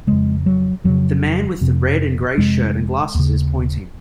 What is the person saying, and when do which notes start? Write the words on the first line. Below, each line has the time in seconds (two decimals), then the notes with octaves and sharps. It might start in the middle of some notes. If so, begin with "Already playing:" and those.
The man with the red and gray shirt and glasses is pointing.
0.07 F2 C#3 G#3
0.46 F#3
0.84 F2 C#3 F#3
1.61 F2 C3
2.38 F2 C3 G#3
3.15 D#2 C#3